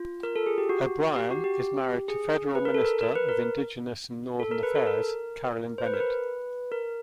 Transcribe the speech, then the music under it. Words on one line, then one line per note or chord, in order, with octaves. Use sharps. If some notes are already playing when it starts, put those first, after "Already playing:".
O'Brian is married to federal Minister of Indigenous and Northern Affairs Carolyn Bennett.
Already playing: F4
A#4
A4
G#4
G4
F#4
G4
F#4
G4
G#4
B4
A#4
A4
A#4
A#4
B4
A#4
A4
A#4
B4
A4
A#4
C5
B4
A#4
B4
A#4